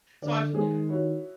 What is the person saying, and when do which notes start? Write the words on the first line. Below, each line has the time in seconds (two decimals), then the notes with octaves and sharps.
So I've yeah.
0.22 D3 D5
0.53 D#3 G#3 G#4 C5
0.89 E4 F#4 C#5